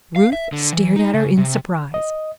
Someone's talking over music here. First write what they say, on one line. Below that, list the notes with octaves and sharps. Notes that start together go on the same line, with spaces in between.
Ruth stared at her in surprise.
F5
E5
D3
E3
D#4
C#3
C3
D#5